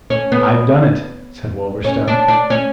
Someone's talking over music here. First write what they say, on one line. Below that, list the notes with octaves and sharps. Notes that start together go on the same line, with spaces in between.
"I've done it," said Wolverstone.
C#4
B3
C#4
D4
D4
C#4